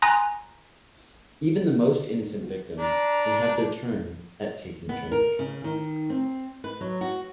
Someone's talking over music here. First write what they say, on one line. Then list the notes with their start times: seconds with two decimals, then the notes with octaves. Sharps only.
Even the most innocent victims may have their turn at taking charge.
0.02 G#5 A#5 C6 D#6 F#6 A#6
2.79 D4 A#5
4.89 B3
5.12 A#4
5.39 C#3
5.64 D#3
6.10 C4
6.64 B4
6.81 F#3
7.01 F#4